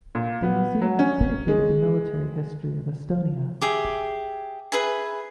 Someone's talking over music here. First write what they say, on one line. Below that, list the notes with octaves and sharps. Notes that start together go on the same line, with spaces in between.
The museum is dedicated to military history of Estonia.
A#2
B3
F#3
C#4
G#3
G4 G#4 E5
G#4 B4 E5 G#5